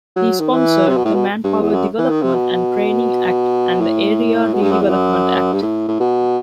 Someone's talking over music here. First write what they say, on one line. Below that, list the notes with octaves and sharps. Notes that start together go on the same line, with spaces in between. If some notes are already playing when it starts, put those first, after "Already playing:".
He sponsored the Manpower Development and Training Act and the Area Redevelopment Act.
F#3
D#3
E3
C3
B2
A2
B2
G2
E2
F#2
E3
D#3
C3
B2
A2
B2
G2
F#2
E2
F#2
G2
A2
A2
B2